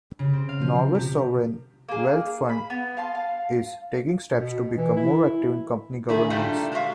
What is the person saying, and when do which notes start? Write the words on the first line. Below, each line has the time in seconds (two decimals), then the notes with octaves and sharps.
Norway's sovereign wealth fund is taking steps to become more active in company governance.
0.19 C#3
0.33 C4
0.49 F5
0.61 F3
0.75 F3
0.95 C3
1.89 A#3 G#4
2.49 B5
2.70 B3
2.97 F5 A5 C6
3.15 F5
4.35 B2
4.77 E3
4.96 E4
6.09 D#3 E4 G#4
6.30 G2 A#2 G3 A3 D4 D#4
6.72 F#3 G#3 A3 F#4 E5 F5